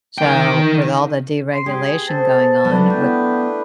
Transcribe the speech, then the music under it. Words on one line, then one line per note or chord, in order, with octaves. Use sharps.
So, with all the deregulation going on, with
D#3 G5
C6
G4 G#4
A3 G#4 A4 C5 A5
F#3 A3 D4 B4
B3 E4 G5